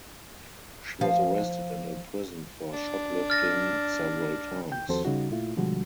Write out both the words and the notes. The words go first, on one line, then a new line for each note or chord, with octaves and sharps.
She was arrested and imprisoned for shoplifting several times.
F3 F5
D4
F6 A6 A#6
G5 G6
D#2 F3 C4 F#4 A4 C5
C#3 G3 D#4 F#4
A#2 A3 E4 F4
B2 D3 F3 G3 G#3 F#4